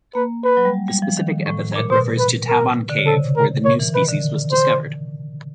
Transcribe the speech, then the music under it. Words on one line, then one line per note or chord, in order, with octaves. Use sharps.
The specific epithet refers to Tabon Cave where the new species was discovered.
A#3 B4
B4
F#3
G3
G#3
G3
F3
D#3
A2
A2
A#2
B2 C5
B4
A#4
D3
C#3
C3 A4
A#4
A#2 C#5
E3
D#3 B4
D3
C5